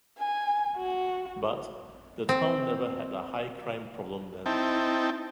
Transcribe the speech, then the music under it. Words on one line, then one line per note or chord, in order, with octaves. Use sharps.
But, the town never had a high crime problem then.
G#5
F#4
C4
C4 D#4 E4 G5 A5